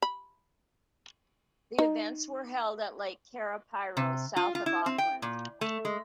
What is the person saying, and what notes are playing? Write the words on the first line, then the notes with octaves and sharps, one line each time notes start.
The events were held at Lake Karapiro, south of Auckland.
B5
D#4
C3
F4
F4
E4
C4
G5
A#2
A3
G#3